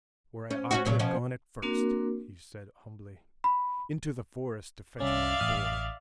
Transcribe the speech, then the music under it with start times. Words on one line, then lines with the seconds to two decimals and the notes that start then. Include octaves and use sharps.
"Where I ought to have gone at first," he said humbly; "into the forest to fetch my boy."
0.50 C#4
0.71 C#4 D#4 F#4
0.85 A#2 F#3 C#4
0.99 B2 F3 C#4
1.62 A#3 C4 D4 F#4 A#4
3.44 B5
5.00 C2 C#4 D5 E5 F5
5.41 A1 D#6 F6